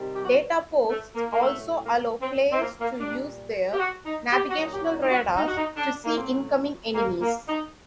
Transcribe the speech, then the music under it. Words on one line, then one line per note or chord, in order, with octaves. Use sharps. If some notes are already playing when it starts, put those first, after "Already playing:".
Data posts also allow players to use their navigational radars to see incoming enemies.
Already playing: C3 D#3 G3
G4
F#4
A3
A#3
A#3
A2 F#3 A3
A#3
C4
C4
A#3
A#3
A#2 G3 D4
G4
F#4
D#4
G4
F#4
A#2 F#3 D#4
G4
F#4
D#4
F#4
D#4
F#4
D#4
D4
A#3
A2 F#3 C4
A#3
A#3
D#4